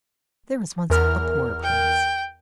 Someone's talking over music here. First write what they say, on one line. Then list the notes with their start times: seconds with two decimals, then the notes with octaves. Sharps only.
There was once a poor Prince.
0.90 E2 A#4 F6
1.63 G5